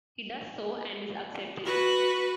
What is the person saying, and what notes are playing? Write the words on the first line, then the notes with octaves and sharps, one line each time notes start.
He does so and is accepted.
F#4 B4